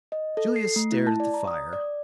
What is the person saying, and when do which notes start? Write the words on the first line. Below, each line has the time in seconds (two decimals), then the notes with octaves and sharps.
Julius stared at the fire.
0.12 D#5
0.37 A4
0.56 C7
0.76 A3
0.92 E4
1.07 A5
1.20 D5
1.34 A#5
1.47 D#6
1.73 D5